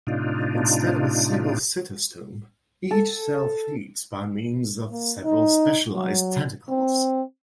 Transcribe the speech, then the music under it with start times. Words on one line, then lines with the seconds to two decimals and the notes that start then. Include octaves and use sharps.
Instead of a single cytostome, each cell feeds by means of several specialized tentacles.
0.07 A2 C3 D4 D#4 F4
2.91 A4
4.91 A#3
5.24 D#4
5.93 F#3
6.69 C4